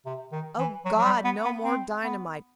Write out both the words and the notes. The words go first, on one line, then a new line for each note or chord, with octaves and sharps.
O God! no more dynamite!
C3
D#3
E3
F#3
F#3
G3
B3
B3
C4
B3